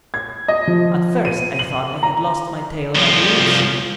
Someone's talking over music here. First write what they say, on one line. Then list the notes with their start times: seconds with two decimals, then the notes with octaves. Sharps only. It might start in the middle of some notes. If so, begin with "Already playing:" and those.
At first I thought I had lost my tail by the roots.
0.14 G#6
0.48 D#5
0.67 F3
1.25 D#7
1.59 F#7
2.03 A#5
2.95 C2 F3